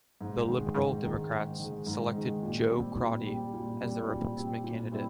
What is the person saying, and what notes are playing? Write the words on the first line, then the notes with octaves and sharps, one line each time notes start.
The Liberal Democrats selected Jo Crotty as their replacement candidate.
G#2
D#3 G#3
G#2
D#3 G#3
G#2
D#3 G#3
G#2
D#3 G#3
A#2
G3 C4
A#2
G3 C4
A#2
G3 C4
A#2
G3 C4
A#2
G3 C4 E4